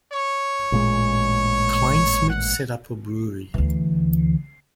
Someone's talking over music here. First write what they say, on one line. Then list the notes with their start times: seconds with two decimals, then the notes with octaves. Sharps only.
Kleinschmidt set up a brewery.
0.12 C#5
0.72 A1 A#2 G#3
2.30 F#5
3.54 D2 E3